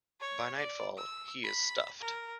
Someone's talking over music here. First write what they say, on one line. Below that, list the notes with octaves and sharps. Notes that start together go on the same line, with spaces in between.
By nightfall, he is stuffed.
C#5
D5
E6
B5
A#4